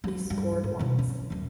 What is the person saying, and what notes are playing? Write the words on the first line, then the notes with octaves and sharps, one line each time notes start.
He scored once.
F#3 G3
G2
G#2
B2 D3
E3 C#4
D#1 F#2